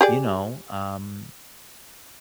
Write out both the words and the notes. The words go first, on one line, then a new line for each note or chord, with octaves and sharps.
you know, um,
G4 G#4 D5